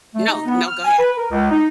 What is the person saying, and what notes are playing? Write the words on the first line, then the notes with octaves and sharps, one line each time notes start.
No, no, go ahead.
A3
D#4
B3
F6
G#5
B4
A#4
C#2
D#4